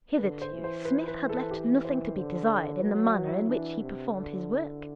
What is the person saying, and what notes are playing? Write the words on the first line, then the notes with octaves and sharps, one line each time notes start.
Hitherto Psmith had left nothing to be desired in the manner in which he performed his work.
D3 B4
C5
E3
C5
B4
B4
A4
G4
C5
D3 C5
D5
F#3 B4
F#4
E4
E3 D4
C3
D3